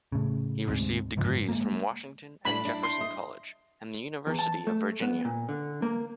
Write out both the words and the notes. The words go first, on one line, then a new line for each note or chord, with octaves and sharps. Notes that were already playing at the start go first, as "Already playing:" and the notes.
He received degrees from Washington and Jefferson College and the University of Virginia.
A2 C#3
D2 G#2 C3
F#1 G#2 D3 F3
G#3 A#3
A2 D4 E4 B5
D4 E4
C6
D#5
E2
A5
A3
B3
A#2
D3
A#3